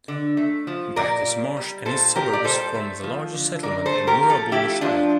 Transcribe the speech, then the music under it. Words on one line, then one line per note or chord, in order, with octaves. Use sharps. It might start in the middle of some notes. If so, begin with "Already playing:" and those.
Bacchus Marsh and its suburbs form the largest settlement in Moorabool Shire.
D3
A3
F3
A#2 A#4 D5
G3
G3
A#2 A4 C5
A#2 G4 A#4
D5
G3 A4 C5
A3
F3
D3
D3 A#4 D5
A4 C5
A3
G4 A#4
F3
F4 A4
A3 E4 G4
F3 D4 F4